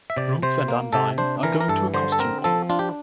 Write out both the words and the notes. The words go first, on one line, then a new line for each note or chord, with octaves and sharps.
Ruth and Undine are going to a costume ball.
E5
C3 D5
C3 C5
A#3
C3 A4
D4 C5
E3 A#4
A#4
G2 A4
D3 C5
A4
C4 A#4
F3 A4
D4 F4
G4